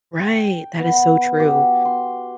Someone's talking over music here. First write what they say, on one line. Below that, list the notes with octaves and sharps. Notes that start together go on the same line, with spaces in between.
Right, that is so true.
G5
B3
F#4 G4
C6